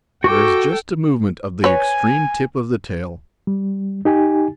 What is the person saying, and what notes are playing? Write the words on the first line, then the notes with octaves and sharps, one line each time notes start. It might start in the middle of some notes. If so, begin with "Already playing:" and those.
There is just a movement of the extreme tip of the tail.
F#4 A4 G5 D6
B4 C#5 G#5
G3
D#4 G4 G#5